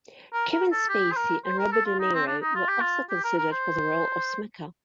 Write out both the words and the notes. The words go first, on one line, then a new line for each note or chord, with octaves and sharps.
Kevin Spacey and Robert De Niro were also considered for the role of Smecker.
A#4
A#4
A4
G4
C5
A#4
C5
A#4
A4
F4
D#4
C4
D4
D#4
F4
G4
F4
G4
A#4
A#4
C5